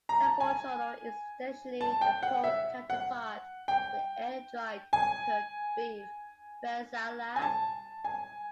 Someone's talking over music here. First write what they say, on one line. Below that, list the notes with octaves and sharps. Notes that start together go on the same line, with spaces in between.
Capocollo is essentially the pork counterpart of the air-dried, cured beef "bresaola".
A#5
A5
G#5
A5
G5
F#5
E5
F#5
G5
G#5
G#5
A5
G#5